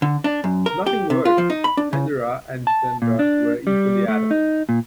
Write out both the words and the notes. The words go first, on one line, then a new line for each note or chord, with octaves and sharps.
Nothing worked; Indira and Jitendra were equally adamant.
D3
D4
F#2
A#4
G4
C3
F4
F3
D#4
B5
D4
C#3
A5
A#2
D4
G3
A3
D#4
A#2